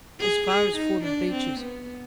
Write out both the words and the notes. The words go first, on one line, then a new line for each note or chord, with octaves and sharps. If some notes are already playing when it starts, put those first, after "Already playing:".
'As far as Fordham Beeches.
G#4
G#4
D#4
D4
C4
B3